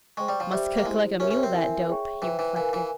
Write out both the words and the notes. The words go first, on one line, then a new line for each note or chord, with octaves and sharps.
"Must kick like a mule, that dope!" he reflected.
G#3 C5 G5 C#6
G3
F3
G3 G4 C5 E5 G5
A#3
G#3 E4 G4 C5
C#4 G4 A#4 E5
C#4
C4
E4 A#4 E5 G#5
G#4 C#5 E5 G5 C#6
E3 C5 E5 G5
E3
E3 A#4 F5 G#5
E3